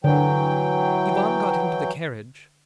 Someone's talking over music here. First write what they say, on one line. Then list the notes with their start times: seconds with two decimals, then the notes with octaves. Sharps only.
Ivan got into the carriage.
0.04 D3 E3 F#3 G5